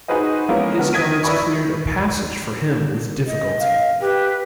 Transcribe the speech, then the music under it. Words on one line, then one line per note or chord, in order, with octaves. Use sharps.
His guards cleared a passage for him with difficulty.
D#4 F#4 G#4 B4 C5 D#5
E3 F3 G#3 A#3 B3 C#4
D3 E3 B3 F#4 A#4
D#6 G#6 A#6 B6 D7 D#7
E4 B4 D5 B5 C#6
D#5
F5
G4 B4